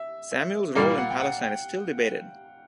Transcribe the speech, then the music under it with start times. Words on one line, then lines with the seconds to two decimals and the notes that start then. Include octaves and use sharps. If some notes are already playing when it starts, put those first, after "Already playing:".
Samuel's role in Palestine is still debated.
Already playing: E5
0.32 E5
0.75 A#2 G3 A#3 F5
0.98 F#5
1.10 G5
1.20 F#5
1.43 G5